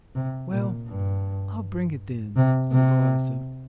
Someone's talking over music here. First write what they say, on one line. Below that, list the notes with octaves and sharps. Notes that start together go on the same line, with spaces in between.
"Well, I'll bring it then," said Loaysa.
C3
A#2
G2
C3
C3